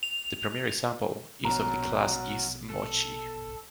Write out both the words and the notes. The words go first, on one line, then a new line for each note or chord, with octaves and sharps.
The premier example is of the class is MoCl.
F7
A#1 B2 F#3 A#4 A#5
A4